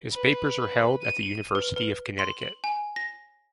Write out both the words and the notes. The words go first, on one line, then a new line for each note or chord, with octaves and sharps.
His papers are held at the University of Connecticut.
B4
D#7
B4
B4
C6
F#7
G#5
A#6